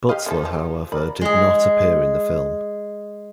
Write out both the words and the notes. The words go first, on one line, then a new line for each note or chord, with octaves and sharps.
Butler, however, did not appear in the film.
G4 D#5 F5
D#3 E4 A4
F3 G4
A#4 D5 B5
G#3 G#4